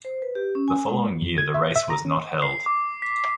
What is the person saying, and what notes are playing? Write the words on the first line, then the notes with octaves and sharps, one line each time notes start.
The following year the race was not held.
C5
B4
G4
C#4
G#5
G#3
F2
G#6
E5
E5
A#5
C#4
C7
D6
B6